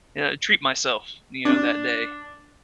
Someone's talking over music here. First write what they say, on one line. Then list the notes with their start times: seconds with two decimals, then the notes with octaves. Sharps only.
And I treat myself, you know, that day.
1.45 D4